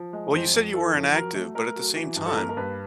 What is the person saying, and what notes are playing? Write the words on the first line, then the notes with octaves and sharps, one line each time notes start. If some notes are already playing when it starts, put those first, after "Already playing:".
Well, you said you were inactive, but at the same time,
Already playing: F3
G#3
F2 C5
F2
E3 A4
F2
F#3 A#4
A3
A3 A#4
F#3
E3
G2
A4
A#3 A#4
A#4
G2 B4